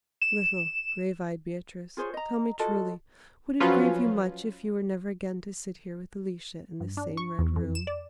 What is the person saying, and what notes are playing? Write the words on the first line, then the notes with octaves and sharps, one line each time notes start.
"Little, grave-eyed Beatrice, tell me truly, would it grieve you much if you were never again to sit here with Alicia in this same Red Room?"
E7
F4 G#4 C5 C#5
D#5 A#5
F4 F#4 A4 D#5
F3 F#3 C#4 F4 B4
G2
D4
C#6
E2
F2
E7
D5